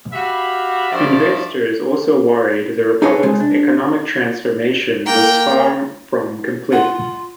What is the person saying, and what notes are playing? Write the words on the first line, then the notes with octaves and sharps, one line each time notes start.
Investors also worried the republic's economic transformation was far from complete.
F#4 G4 E5 F5 B5
G2 F3 A3 D5
D#4 G#4 A4 B4 C#5
C3 G#3
D4
A#3 G5 A#5
F4 F#5